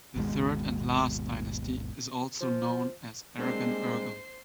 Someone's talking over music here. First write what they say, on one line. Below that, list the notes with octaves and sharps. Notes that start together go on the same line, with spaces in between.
The third and last dynasty is also known as Aragon-Urgell.
G#1 D#2 B2 G#3
F3
G3 G#3 A#3 C4 D4 C5 C7